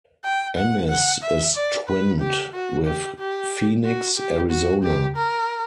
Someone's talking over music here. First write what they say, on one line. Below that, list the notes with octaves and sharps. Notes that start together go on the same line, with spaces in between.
Ennis is twinned with Phoenix, Arizona.
G5
F#5
F#5
E5
D5
B4
G4
F#4
G4
G4
F#4
G4
F#4
G4
A#4